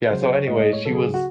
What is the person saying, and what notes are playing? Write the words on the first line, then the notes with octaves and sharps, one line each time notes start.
Yeah, so anyway, she was
C#3 F#3 C5
C5
C#5
A2 G#3 D#5
D#5
C#5
C#3 F#3 A4
G#4
F#4